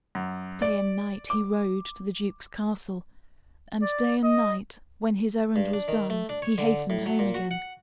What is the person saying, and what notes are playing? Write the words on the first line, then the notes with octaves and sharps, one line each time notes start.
Day and night he rode to the duke's castle, and day and night, when his errand was done, he hastened home again.
F#2
D5
D6
D5
D#5
G2
D4
D#3
A3
D4
C#5
D3
A2
F#3
A#2
F#4
F#5